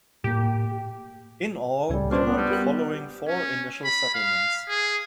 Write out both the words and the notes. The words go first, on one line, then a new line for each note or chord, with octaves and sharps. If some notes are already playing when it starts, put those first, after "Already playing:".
In all, there were the following four initial settlements.
A2 A#3 G4
C#2 A2 C#3 G3
C#4 D4 F4 C5
B3
G3
G4 A#4 F#5
C#4
B5
F5
G#4